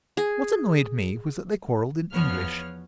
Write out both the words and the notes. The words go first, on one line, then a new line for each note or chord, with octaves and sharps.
What annoyed me was that they quarrelled in English.
G#4
E2 F3 B3 C#5 F6